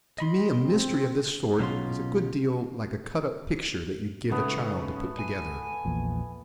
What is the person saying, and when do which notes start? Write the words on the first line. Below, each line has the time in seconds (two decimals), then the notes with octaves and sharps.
To me a mystery of this sort is a good deal like a cut-up picture that you give a child to put together.
0.18 D#5 B5 C6
0.60 C4
1.59 B1 B2 F#3 C#4 F4 C6
4.31 G#2 C#3 A3 B3
5.19 G#5
5.85 A#1 E2 A#2